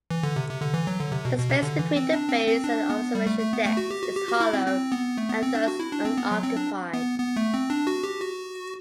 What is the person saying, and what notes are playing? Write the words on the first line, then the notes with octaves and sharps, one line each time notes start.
The space between the base and the observation decks is hollow and thus unoccupied.
E3
D3
C3
C3
D3
E3
F#3
D3
C3
B2
B2
C3
D3
E3
C4
D4
C4
C4
D4
B3
G3
A3
A3
B3
A3
F#4
G4
F#4
G4
F#4
E4
C4
C4
B3
A3
B3
C4
D4
F#4
E4
D4
C4
B3
F#3
C4
D4
B3
B3
A3
C4
D4
F#4
G4
F#4